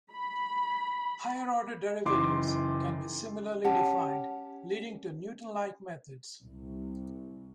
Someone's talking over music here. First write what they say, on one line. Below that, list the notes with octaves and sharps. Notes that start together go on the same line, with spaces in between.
Higher order derivatives can be similarly defined, leading to Newtonlike methods.
B5
F#1 E3 D#4 C6 D6
C#4 G4 F#5 A5
C2